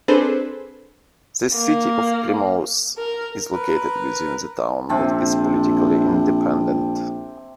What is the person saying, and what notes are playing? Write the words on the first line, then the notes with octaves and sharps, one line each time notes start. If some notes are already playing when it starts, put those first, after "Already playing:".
The City of Plymouth is located within the town, but is politically independent.
C4 D4 G#4 A4 B4 C5
A#3
A#4
A#4 B4
A#1 C3 C4 A5